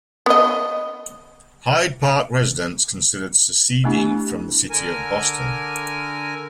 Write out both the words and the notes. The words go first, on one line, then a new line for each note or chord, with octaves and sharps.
Hyde Park residents considered seceding from the City of Boston.
B3 D#5
A3 B3 D4 E4 G4
D3 A#4 G#5